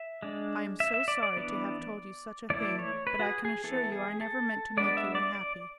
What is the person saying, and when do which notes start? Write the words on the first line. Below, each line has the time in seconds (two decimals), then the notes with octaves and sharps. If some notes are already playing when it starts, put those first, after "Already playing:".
I am so sorry to have told you such a thing, but I can assure you I never meant to make you unhappy.
Already playing: E5
0.22 G#3 D4
0.80 E5
0.94 E5
1.08 D5
1.23 D5
1.37 E3 B3 D4
2.50 E3 A3 E4 D5
2.79 C#5
3.07 B4
3.19 F#4
3.26 G#4
3.45 G#4
3.64 E3 B3 E4 A4
3.92 G#4
4.21 A4
4.77 G#3 B3 D4 D5
4.97 E5
5.15 D5
5.35 D5